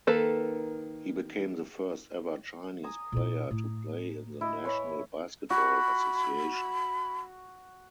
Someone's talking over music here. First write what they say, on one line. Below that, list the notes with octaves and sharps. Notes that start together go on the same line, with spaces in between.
He became the first ever Chinese player to play in the National Basketball Association.
D#3 A#3 A4 B4
G#5 A#5 D#6
A#2 E4
A2
E4 D#5
B4 C#5 G#5
F#4 B5